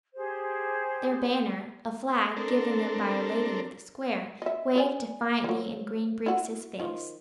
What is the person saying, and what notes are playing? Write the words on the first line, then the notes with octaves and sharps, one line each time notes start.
Their banner, a flag given them by a lady of the Square, waved defiantly in Green Breeks' face.
G4 G#4 C5
C4 D4 A4 A#4
D#5 E5
G#4 D5 G#5
F3 F#3
E4 F#4
D#3 F3 F4